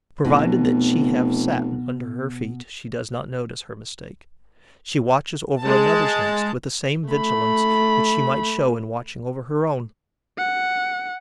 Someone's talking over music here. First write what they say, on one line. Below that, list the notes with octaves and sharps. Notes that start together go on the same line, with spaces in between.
Provided that she have satin under her feet, she does not notice her mistake; she watches over another's nest with the same vigilance which she might show in watching over her own.
F1 B2
G#3 A5
A3 B5
F#5